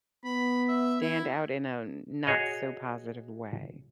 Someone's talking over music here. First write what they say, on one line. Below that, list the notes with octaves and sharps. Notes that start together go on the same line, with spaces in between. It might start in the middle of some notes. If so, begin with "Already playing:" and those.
stand out in a n not so positive way.
B3 B5
E5
E4
F#4 G#4 C#5 D#5